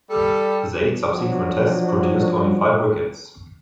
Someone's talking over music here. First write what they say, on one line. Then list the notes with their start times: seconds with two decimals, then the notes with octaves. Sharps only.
His eight subsequent Tests produced only five wickets.
0.10 G3 A4
1.07 F3 F#3 D4